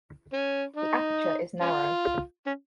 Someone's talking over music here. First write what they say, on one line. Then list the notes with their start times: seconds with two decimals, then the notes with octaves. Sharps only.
The aperture is narrow.
0.33 C#4
0.76 D#4
1.61 C#4 F4
2.46 C#4